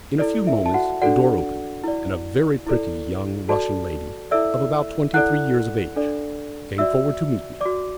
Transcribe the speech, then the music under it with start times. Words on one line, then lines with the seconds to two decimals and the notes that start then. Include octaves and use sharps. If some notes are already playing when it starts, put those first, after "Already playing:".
In a few moments the door opened, and a very pretty young Russian lady of about twenty-three years of age came forward to meet me.
0.19 E4 A4 D5
0.47 E5
0.66 A5
0.74 F#4 F#5
1.02 D4 F#4 A4 D5 F#5
1.84 E4 D5
2.67 E4 A4 D5
3.49 F#4 A4 D5 A5
4.31 E4 A4 D5 E5 E6
5.14 E4 A4 D5 F#5 F#6
5.96 D4 A4 D5
6.78 F#4 D5 E5 E6
7.61 F#4 D5 D6